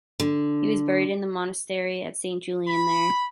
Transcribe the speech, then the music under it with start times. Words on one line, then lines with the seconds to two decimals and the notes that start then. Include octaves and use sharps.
He was buried in the monastery of Saint-Julien there.
0.20 D3
2.68 B5